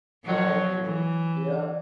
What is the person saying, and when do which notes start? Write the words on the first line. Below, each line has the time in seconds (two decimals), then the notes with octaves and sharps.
Agreed, yep.
0.25 F3 F#3
0.84 E3